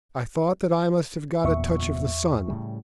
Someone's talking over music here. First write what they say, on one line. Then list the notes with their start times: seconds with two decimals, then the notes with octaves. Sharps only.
I thought that I must have got a touch of the sun.
1.44 F#1 E2 A#2 B3 E5 C#6
2.48 A2 C#3 G3